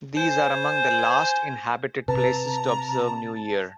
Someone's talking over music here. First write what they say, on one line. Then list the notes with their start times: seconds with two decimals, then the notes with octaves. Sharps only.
These are among the last inhabited places to observe New Year.
0.17 C5 G#5
2.08 C3 B4 A5 A#5